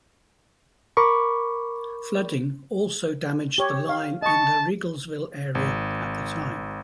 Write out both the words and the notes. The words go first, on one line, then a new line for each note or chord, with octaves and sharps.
Flooding also damaged the line in the Riegelsville area at the time.
A#4 B5 C#6 D6
G4 C#5
F5
D#5 A5 C#6
G#1